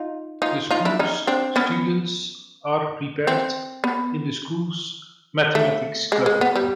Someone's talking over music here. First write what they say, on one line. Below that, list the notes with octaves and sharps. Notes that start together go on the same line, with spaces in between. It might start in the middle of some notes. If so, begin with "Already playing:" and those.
The school's students are prepared in the school's Mathematics Club.
Already playing: D#4 F4
D#4 F4
D#4 F4
D4 E4
C#4 D#4
C4 D4
B3 C#4
C4
B3
A3
G#3
G#3
B3
G3